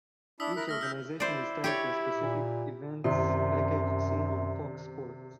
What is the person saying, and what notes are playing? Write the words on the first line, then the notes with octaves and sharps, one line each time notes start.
Each organization is tied to a specific events package seen on Fox Sports.
D4 E4 D#6 E6 B6
E4 A#4 F#6
A3 E6 F6 A#6
E5 E6 F6 G6
E4 C5 D5
G4 C#5 D5
A#2
F#2 C3 D#3 D5 E5 A#5 C6